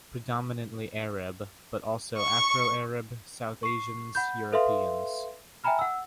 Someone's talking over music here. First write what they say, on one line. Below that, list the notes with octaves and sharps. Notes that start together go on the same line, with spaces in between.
Predominantly Arab; but also Afro-Arab, South Asians, Europeans.
C#6
C#6 C7
F#5 B5 G6
A4 B4 E5 F5 C6
E5 G5 G#5 A#5 B5 F6
F#5 E6